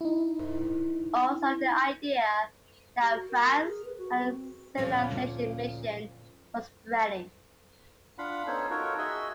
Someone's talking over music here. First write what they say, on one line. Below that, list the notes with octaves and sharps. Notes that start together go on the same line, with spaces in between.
Also, the idea that France had a civilizing mission was spreading.
D#4 E4
G4
F#4
A#4
G#4
B4
F#4
C4
D2 A#2 F3 C#4
D4 F4 F5 F#5 B5
B3 C#4 D#4 A4 C5 C#5
D#4 F4 F#4 A4 A#4 C#5
F#4 G#4 D#5 E5